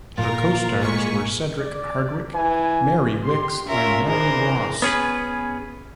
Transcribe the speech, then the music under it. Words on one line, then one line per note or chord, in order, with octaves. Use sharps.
Her costars were Cedric Hardwicke, Mary Wickes and Marion Ross.
A#2 F4 A#4
G#3 A#3 G#5 C#6 B6
D5
E3 G#5
G4 C6
C#4 F4 A#4 E5
E3 D4 G#4 A#4 C5
B3 C#4 G#4 B4